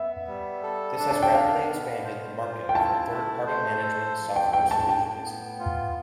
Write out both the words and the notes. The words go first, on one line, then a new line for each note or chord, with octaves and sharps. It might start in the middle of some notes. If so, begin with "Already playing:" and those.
This has rapidly expanded the market for third-party management software solutions.
Already playing: B3 E5
G3
A4
D4
A5
G5
B3 F5
B2
C5
F4
G5
E4 A5
A3
C5
A4
F3
G5
A2 G5
A5
A2 G5
B3
F4